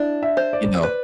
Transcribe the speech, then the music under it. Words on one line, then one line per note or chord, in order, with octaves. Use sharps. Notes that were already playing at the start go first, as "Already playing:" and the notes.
you know,
Already playing: D4 E4
E5
C5
D5
B4 D5